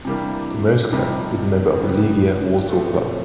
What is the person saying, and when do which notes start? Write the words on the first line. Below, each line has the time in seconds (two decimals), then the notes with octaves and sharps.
Dmowska is a member of the Legia Warsaw Club.
0.05 C3 E3 G3 A#3 D4
0.93 F2 C3 D#3 G3
1.80 C#3 E3 G3 B3
2.68 A#2 F3 A3 C4